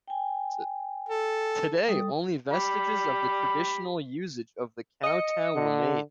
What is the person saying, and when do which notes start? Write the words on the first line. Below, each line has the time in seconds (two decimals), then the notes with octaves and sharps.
Today, only vestiges of the traditional usage of the kowtow remain.
0.08 G5 G#5
1.09 A4
1.88 G3 A4 D#6
2.52 G4 B5
5.03 D#5 C#7
5.56 D3